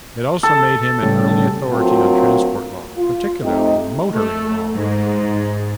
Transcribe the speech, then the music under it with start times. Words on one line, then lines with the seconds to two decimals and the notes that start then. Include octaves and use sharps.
It also made him an early authority on transport law, particularly motoring law.
0.43 A4
1.03 A2 C#3 G3
1.71 D2 F#3 A3 A#3 C4 F4
2.97 F4
3.42 C3 A3 C4 D#4 G4 D#5
4.14 A3
4.73 G#2